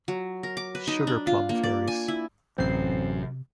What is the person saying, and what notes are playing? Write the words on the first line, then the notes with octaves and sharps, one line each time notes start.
Sugar Plum Fairies.
F#3
A#4
D6
B4
D#4
D4
F4
A#3
D5
G#5
E4
A1 F#2 C3 C4 C7